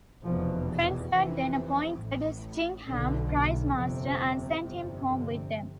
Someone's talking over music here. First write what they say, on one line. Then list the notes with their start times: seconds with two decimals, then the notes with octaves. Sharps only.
Trenchard then appointed Stingham prize-master and sent him home with them.
0.24 F1 E2 B2 F3
0.68 E3
1.11 F1 F2 C3 E3
2.00 A1 A2
2.88 B1 B2 D3
3.75 G1 F2 C3
4.63 G1 F2 C3
5.07 D3